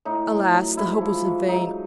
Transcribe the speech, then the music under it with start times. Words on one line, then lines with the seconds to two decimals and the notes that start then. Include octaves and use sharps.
Alas! the hope was vain.
0.05 A2 D#4
0.30 F#3
0.54 F#3
0.77 G#2 E4
1.01 F3
1.25 G#2
1.48 F#3 D#4